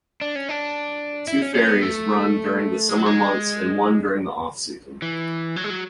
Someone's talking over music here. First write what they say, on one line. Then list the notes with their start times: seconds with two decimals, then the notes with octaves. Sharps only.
Two ferries run during the summer months and one during the off-season.
0.21 D4
0.36 C#4
0.49 D4
1.28 E4
1.42 C#4
1.55 C#4
1.68 B3
1.82 A3
2.89 G#3
2.97 F#3
3.06 G#3
5.02 E3
5.56 F#3
5.64 G#3
5.70 F#3